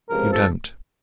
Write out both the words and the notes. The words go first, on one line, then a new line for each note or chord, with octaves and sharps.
You don't.
C#2 C3 F3 G#3 A#4
A4